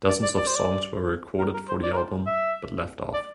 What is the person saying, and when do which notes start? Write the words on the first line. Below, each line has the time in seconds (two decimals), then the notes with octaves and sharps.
Dozens of songs were recorded for the album but left off.
0.08 D5
0.23 D5
0.37 D5
0.47 C5
0.56 D5
1.39 A#4
1.54 A#4
1.68 C5
1.83 D5
1.93 A#4
1.97 C5
2.26 E5
3.14 D5